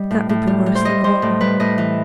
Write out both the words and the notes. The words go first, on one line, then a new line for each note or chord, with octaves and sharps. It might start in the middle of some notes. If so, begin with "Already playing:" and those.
That would be worse than all.
Already playing: G3 D#5
A2
A2
G3
G3
C5
G3 D#5
G3 C5
A2
G3 B4
A2 D#5
E3